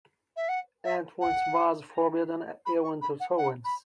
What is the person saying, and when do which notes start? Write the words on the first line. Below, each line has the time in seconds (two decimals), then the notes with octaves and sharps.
Entrance was forbidden even to servants.
0.36 E5
0.48 F#5
0.84 E5
1.20 F#5
2.65 B5
2.83 C#6
3.01 B5
3.20 F#5
3.37 F#5
3.64 B5